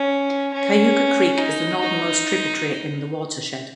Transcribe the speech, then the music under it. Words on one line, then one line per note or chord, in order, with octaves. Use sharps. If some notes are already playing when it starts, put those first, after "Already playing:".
Cayuga Creek is the northernmost tributary in the watershed.
Already playing: C#4
C#4
D#4
D#4